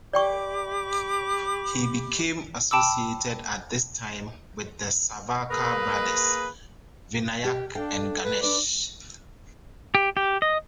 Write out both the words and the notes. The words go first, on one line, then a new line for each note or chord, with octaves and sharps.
He became associated at this time with the Savarkar brothers, Vinayak and Ganesh.
G4 D5 G5 B5 C#6 D6
G5 A5 B5 D6 E6
A#3 G#4 A#4 B4
G4
D4 A4 F5 G5
B4
D4 B4 D5
G4
G4
D#5